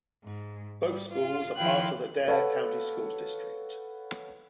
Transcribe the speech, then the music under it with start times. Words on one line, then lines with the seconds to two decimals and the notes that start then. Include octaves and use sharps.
Both schools are part of the Dare County Schools district.
0.24 G#2
0.83 G3
1.12 F4
1.57 D#3 F3 E4 F4 G5 F#6
2.28 A4 B4 C#5 F5 F#5 A5